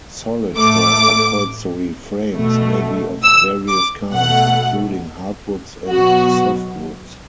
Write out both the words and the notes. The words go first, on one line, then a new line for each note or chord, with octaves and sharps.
Solid for upholstery frames may be of various kinds, including hardwoods and softwoods.
A2 A3 D6
B2 A3
E6
D6
B2 A3 F#5
B2 F#3 B3 F#4